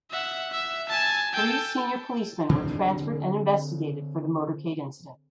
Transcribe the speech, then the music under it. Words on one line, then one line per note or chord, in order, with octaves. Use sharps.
Three senior policemen were transferred and investigated for the motorcade incident.
E5 F#5
E5
G#5 A5
A4 G5
D3 C4